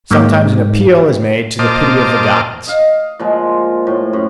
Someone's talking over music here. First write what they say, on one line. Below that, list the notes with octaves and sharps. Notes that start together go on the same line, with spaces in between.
Sometimes an appeal is made to the pity of the gods.
G#2 F#3 A#3 G4
A#2 C5 D#5 A5 D6 F6
D#5 F5
A#2 F3 G#3
A2
F#2